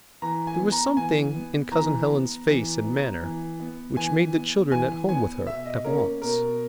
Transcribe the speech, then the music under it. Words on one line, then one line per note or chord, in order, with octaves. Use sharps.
There was something in Cousin Helen's face and manner, which made the children at home with her at once.
E3 A#5
G#5
B3
A#5
E3 G#5
B3
E3 A#5
B3
E3
B3
E3
B3
E3 G#5
B3
E3 G#5
B3 G#5
B2 E5
D#5
A#3 C#4 A#4
B2 A#4